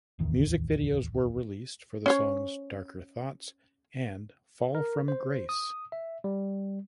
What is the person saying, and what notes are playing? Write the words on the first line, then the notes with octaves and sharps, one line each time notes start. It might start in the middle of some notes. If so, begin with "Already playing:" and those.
Music videos were released for the songs "Darker Thoughts" and "Fall from Grace".
D1 A1 E2 D#3
C#4 C5 C#5
A#4
C5
D#6
E5
G3